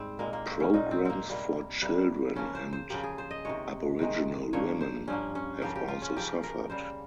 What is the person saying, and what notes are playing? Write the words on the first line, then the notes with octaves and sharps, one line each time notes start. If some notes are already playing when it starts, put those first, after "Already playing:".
Programs for children and Aboriginal women have also suffered.
Already playing: G#2 G3 C4
A#2 G#3 A#3
A#3
C4
C#4
A#2 G#3 D#4
C4
A#3 C4
C3 G3 A#3
C3 G3 A#3
C#3 F3 A#3 C#4
C5
C5
C#3 F3 A#3 G4
G#4
C5
D#5
C3 D#3 G#3 C#5
C3 D#3 G#3
G2 F3 A#3 C#5
C5
G2 F3 A#3 C#4
C#4
C#3 F3 A#3 G4
G4
F4
C#4
C#3 F3 A#3 G4
A#4
C#3 G3 A#3 C5